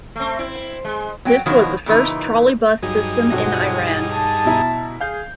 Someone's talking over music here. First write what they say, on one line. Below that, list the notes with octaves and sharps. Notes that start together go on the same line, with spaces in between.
This was the first trolleybus system in Iran.
A3 C4
C4 E4
G#3
F#3 G5
B2 D#3 F3 F#3
A#2 C#3 E3 D#4
G2 F#3 D#4 G#4
B1 F2 F4 F#4 F#5
A5
B2 E4 A#5
G#4 F5 G6